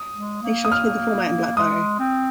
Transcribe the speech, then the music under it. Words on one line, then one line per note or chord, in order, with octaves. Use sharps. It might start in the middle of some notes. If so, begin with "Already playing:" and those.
Make sure to fill the form out in black biro.
Already playing: D#6
G#3
A#3
D#6
F6
G#3 D#6
C4